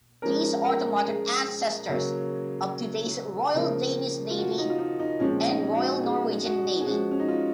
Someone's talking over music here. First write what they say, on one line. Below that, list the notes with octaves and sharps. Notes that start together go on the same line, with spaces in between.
These are the modern ancestors of today's Royal Danish Navy and Royal Norwegian Navy.
F3 G#3 C#4 A#4
A#4
G#4
C#3 F#3 A#3 C#4
C#3 F3 A#3
F4
F#4
D#4
F4
D#4
D#4
A#2 F3 G#3 C4 C#4
D#4
F#4
G#4
F#4
G#4
F3 G#3 C#4 F#4
C#4
D#4
F4